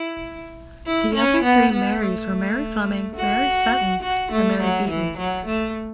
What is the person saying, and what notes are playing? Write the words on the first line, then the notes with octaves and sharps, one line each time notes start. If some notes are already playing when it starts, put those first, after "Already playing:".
The other three "Marys" were Mary Fleming, Mary Seton and Mary Beaton.
Already playing: E4
E4
C#4
B3
B3
A3
F#4
F#4
A3
F#3
E3
F#3
A3